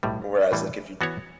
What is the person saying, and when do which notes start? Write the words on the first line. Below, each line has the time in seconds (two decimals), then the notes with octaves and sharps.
whereas, like, if you
0.03 B1 A2 G3
0.52 A2 E3 G3
1.01 E3 B3 F#4 C#5